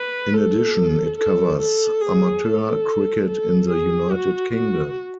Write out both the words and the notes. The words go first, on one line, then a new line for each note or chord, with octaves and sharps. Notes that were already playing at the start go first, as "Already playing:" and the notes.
In addition, it covers amateur cricket in the United Kingdom.
Already playing: B4
A4
A4
A4
G#4
A4
A4
G#4
F#4
F#4